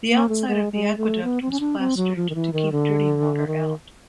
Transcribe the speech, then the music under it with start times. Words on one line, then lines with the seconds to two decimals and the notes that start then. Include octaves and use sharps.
The outside of the aqueduct was plastered to keep dirty water out.
0.11 A#3
0.29 A3
0.47 G#3
0.73 G#3
0.97 A3
1.23 B3
1.42 C4
1.51 C#4
1.60 D4
1.78 C4
1.97 F#3
2.16 F3
2.30 D#3
2.35 E3
2.53 D#3
2.72 D3
3.47 D#3